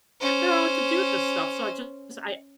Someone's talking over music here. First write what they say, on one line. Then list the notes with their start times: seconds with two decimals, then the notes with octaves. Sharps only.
don't know what to do with this stuff. So I just I
0.20 C#4 C5